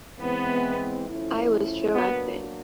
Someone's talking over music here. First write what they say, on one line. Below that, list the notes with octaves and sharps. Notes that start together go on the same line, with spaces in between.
I was sure of it.
E3 G#3 B3 C4
F3 A3 C#4 E4
F#3 A#3 B3 D4 F#4